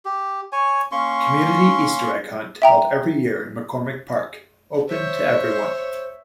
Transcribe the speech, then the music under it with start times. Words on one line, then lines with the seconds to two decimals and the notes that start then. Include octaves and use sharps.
Community Easter Egg Hunt held every year in McCormick Park, open to everyone.
0.05 G4
0.52 C#5 G#5
0.92 A#3 C#4 C6 C#6
2.62 E5 G5 A#5
4.88 C5 C#5 E5